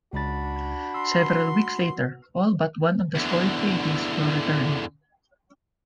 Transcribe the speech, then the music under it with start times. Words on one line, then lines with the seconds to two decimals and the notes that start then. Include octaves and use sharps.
Several weeks later, all but one of the stolen paintings were returned.
0.13 C#2 D4 F#4 B5 A6
0.94 C6 E6
3.15 E2 D3